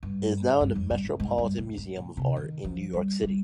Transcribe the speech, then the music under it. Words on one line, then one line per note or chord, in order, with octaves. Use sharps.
It is now in the Metropolitan Museum of Art in New York City.
G2
G2
F2
G2
G#2
G#2
G2
A#2
G#2
A#2
C3
D#3
F3
G3
G3